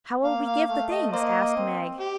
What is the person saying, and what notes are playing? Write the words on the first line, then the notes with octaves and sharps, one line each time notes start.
"How will we give the things?" asked Meg.
A#3 F5
F5
A3 F5
D#5
A#3 C5 D#5
C4
G4